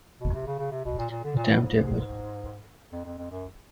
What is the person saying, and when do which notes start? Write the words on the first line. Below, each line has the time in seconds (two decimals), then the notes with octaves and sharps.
The time table.
0.20 B2
0.33 C3
0.47 C#3
0.59 C#3
0.71 C3
0.85 B2
0.98 A#2
1.10 A#2
1.24 D3
1.36 A#2
1.50 A2
1.63 G#2
2.93 F2
3.05 F2
3.18 F2
3.31 F#2